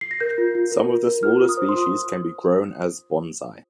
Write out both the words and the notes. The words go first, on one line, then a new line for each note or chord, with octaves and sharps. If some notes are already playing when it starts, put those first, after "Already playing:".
Some of the smaller species can be grown as bonsai.
C7
A#6
A#4 G6
F4
F4
A#4
F4
A#4
F4 F6
F4
D#6
C5
C6
F4 D#6